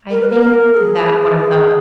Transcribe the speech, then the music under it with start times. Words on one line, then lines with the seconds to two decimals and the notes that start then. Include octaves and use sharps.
I think that one of the
0.11 A#4
0.21 B4
0.29 A#4
0.73 A4
0.77 G#4
1.36 G#4